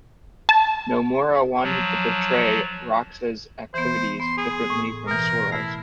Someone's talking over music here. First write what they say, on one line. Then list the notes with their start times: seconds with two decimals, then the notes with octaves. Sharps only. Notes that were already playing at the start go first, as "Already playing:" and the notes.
Nomura wanted to portray Roxas' activities differently from Sora's.
0.49 A5
1.63 F3 F#3
3.74 E3 B3 C5
4.20 B3 C6
4.37 G#4
4.70 A2
5.07 B2 E3 A#4
5.52 A3 E4